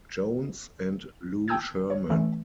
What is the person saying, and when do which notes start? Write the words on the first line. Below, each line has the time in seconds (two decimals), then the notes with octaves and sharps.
Jones, and Lou Sherman.
1.48 G5 A5 D#6 E6 G6 G#6
1.90 C#5
2.10 E3 A3 C#4